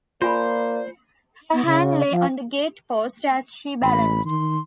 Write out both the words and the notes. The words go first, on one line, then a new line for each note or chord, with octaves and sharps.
Her hand lay on the gate-post as she balanced.
A#3 F4 C5 D5 G#5 B5
B3
C#3
F3
A1 B5
D#3 C6